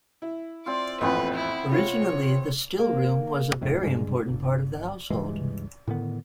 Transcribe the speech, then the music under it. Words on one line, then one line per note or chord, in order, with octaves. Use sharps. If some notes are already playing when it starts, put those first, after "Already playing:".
Originally, the still room was a very important part of the household.
E4
C4 F4 D5
A1 F2 A#2 B3 C4 B4
E4
C3 F4 C#5
A#3
G1 F2 A2
G2 C#3 G3 G#3
G1
C#2 G2 E3 G#3
A2 D3 D#3 B3